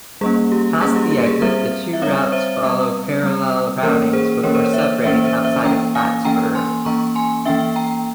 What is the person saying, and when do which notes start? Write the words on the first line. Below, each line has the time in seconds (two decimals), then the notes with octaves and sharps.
Past the exit, the two routes follow parallel routings before separating outside of Plattsburgh.
0.21 G3 A#3 C#4 G#4
0.52 G4
0.81 G3 A#3 C#4 G#4
0.96 G4
1.11 G4
1.27 G#4
1.42 G3 C4 C5 E5
1.93 E5
2.02 G3 C4 C#5 F5
2.32 C5 E5
2.63 G3 C4
3.23 G3 C4
3.83 E3 A#3 C#4 A#4 C#5
4.13 G#4 C5
4.43 E3 A#3 C#4 A#4 C#5
4.55 C5
4.64 C#5
4.74 C5 E5
5.04 E3 A#3 C#4 C5 E5
5.24 C5 E5
5.45 C5 E5
5.64 E3 A#3 C#4 G5 A#5
5.95 F5 G#5
6.25 E3 A#3 C#4 G5 A#5
6.55 G#5 C6
6.85 E3 A#3 C#4 A#5 C#6
7.15 G#5 C6
7.46 E3 A#3 C#4 E5 G5
7.76 G5 A#5